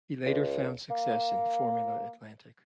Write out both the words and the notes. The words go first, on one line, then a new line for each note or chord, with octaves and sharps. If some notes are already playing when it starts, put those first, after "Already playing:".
He later found success in Formula Atlantic.
C#2
A#3